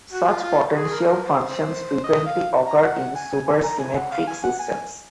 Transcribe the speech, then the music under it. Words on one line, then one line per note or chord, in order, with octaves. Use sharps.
Such potential functions frequently occur in supersymmetric systems.
F#4
F4
F4
G#4
G#4
A#4
A#4
C5
D#5
F5
A#5
F#5
F#5
G#5
G#5
G#5
A#5
G#5
F#5
F5
G#5
F#5
G#5